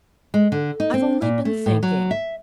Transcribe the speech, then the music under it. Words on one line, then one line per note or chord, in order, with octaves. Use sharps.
"I've only been thinking."
G#3
D3
D#4
C4
A#2
A3
A2
F#3
E5